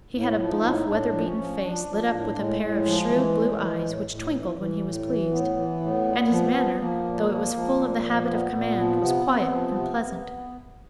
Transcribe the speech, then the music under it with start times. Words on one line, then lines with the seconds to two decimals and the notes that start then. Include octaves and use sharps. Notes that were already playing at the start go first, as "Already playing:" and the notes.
He had a bluff weather-beaten face, lit up with a pair of shrewd blue eyes which twinkled when he was pleased; and his manner, though it was full of the habit of command, was quiet and pleasant.
0.14 A2
0.39 F3
0.51 D#4
0.63 A2
0.88 A2 D4
1.12 F3
1.25 C#4
1.37 F3
1.62 F3 D4
1.86 F3
2.12 A2
2.36 A2 G#3
2.61 A2
2.86 F3
3.09 E3
3.35 A2
3.59 E3
3.84 A2
4.08 A2
4.33 E3
4.58 E3
4.82 A2
5.07 E3
5.31 A2 B3
5.56 E3
5.81 A2
6.06 A#2
6.31 F3
6.54 F3
6.79 F3 A#3
7.04 A#2
7.28 F3
7.53 F3
7.79 A#2
8.03 F3
8.16 A#3
8.27 A#2 B3
8.52 A#2
8.77 F3
9.01 C3 B3
9.26 C3
9.51 F3
9.75 C3
10.00 C3